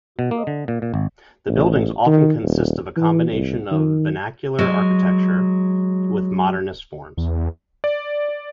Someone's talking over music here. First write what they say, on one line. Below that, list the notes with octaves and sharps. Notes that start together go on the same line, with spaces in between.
The buildings often consist of a combination of vernacular architecture with modernist forms.
B2
A#3
D3
A#2
A#2
G#1
A1
D#3
D#1
E3
C2
D#3
F#3 G#3
E2
D5